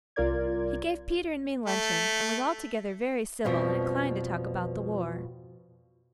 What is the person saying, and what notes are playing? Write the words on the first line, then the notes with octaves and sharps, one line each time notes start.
He gave Peter and me luncheon, and was altogether very civil and inclined to talk about the war.
C2 F4 A#4 D5 G#6
A3
F2 B2 F3 G3